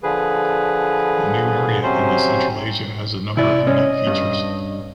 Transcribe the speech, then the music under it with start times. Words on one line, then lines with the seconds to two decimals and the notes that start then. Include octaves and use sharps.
The new area in the Central Asia has a number of unique features.
0.03 D3 F3 G#4 B4
1.83 C3 F#3 C#4 C5
3.37 C3 E4 D5
3.67 C#4 D#5
4.07 G2